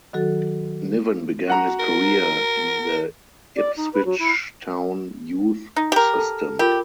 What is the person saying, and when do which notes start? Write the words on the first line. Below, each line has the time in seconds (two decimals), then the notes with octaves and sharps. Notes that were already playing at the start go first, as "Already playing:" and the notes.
Niven began his career in the Ipswich Town youth system.
0.13 D#3 F#3 F#4 A4
1.48 F#4 F#5 A#5
1.79 A#4
3.56 D5
3.76 D#4
3.93 B4
4.05 F#3
4.18 E4
5.76 D#4
5.92 G4 A#4
6.14 A4 A5
6.59 F4 G4 A#4